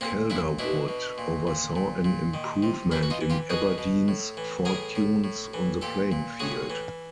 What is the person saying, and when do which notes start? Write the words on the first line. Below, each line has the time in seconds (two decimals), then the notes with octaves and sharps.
Calderwood oversaw an improvement in Aberdeen's fortunes on the playing field.
0.01 A#2 A#3 C4
0.30 A#2 D4 E4
0.59 B2 D4 E4
0.88 B2
1.18 A#2
1.47 A#2
1.76 A#2
2.04 A#2
2.34 D#3
2.63 C3
2.91 E3 D4 E4
3.03 F#4
3.10 D#4 F4
3.21 E3
3.30 F4 G4
3.50 B2 F#4 G#4
3.78 B2
4.08 A2
4.37 E3
4.65 A2 G#4 A#4
4.95 A2
5.24 A2
5.54 E3
5.81 A#2 G4 A4
6.12 A#2
6.40 A2 F#4 G#4
6.70 E3